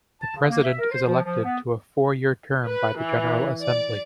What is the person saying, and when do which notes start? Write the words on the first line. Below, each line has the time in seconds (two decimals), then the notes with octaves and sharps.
The President is elected to a four-year term by the General Assembly.
0.21 A5
0.35 C#3
0.49 A#3
0.64 E5
0.79 A#4
0.91 C5
1.06 F3
1.24 F3
1.45 B3
2.68 B4
3.01 E3
3.63 D5